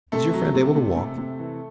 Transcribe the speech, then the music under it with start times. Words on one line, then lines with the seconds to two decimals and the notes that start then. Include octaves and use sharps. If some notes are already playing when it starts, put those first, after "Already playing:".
"Is your friend able to walk?"
0.12 C3 A3 A4
0.34 F#3
0.55 C3
0.76 C3
0.96 C3
1.18 C3
1.39 E3